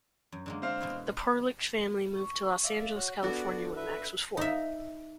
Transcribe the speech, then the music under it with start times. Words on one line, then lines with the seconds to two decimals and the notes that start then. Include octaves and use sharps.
The Perlich family moved to Los Angeles, California when Max was four.
0.32 F#2
0.46 D3 G#3 A#3
0.62 C4 C5 F5
0.81 B2 G#3 E4
2.13 C#6
2.64 D5 E5 F5
2.95 F#4 C#5
3.23 B3 D4 F#4 A4 D5 F#5
3.76 B4 E5
4.37 D#4 E5